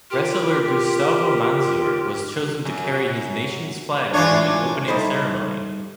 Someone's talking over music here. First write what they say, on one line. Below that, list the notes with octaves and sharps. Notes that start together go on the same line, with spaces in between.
Wrestler Gustavo Manzur was chosen to carry his nation's flag during the opening ceremony.
F4 G4 A#4 G5
F#2
E3 D4 F4 C#5
G3 D#4 E4 A4 C5